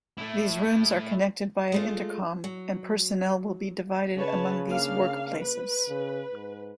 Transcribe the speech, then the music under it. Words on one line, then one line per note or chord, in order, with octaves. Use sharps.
These rooms are connected via intercom, and personnel will be divided among these workplaces.
A3 E4
G#3 A3 F4
F#3
C#3 B4 C#5 A5
A#3 D4 F5
B4
C#3
G#2